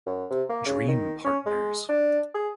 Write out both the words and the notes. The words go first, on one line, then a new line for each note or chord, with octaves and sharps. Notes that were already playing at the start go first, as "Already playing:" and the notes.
Dream Partners.
F#2
C3
A#3
C#3
D#3
C#4
G#3
D4
G#4